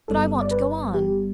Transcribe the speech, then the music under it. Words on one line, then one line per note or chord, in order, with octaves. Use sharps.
"But I want to go on!"
G1 G2 G3 B3 A4
D5
B4
G4